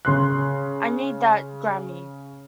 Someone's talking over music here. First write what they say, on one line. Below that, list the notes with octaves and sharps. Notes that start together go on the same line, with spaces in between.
I need that Grammy.
C#3 C6 F#6